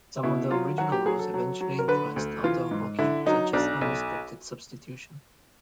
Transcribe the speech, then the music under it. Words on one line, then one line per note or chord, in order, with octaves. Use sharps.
Some of the original rules eventually influenced outdoor hockey, such as unrestricted substitution.
B2 E4
F#3 F4
F#3 F#4
G4
F#3 G#4
A4
F#3
F#3
A#4
D3 B4
D2
E3 F4
G#2
D3 E4
F#3 D#4
B1 D4
B1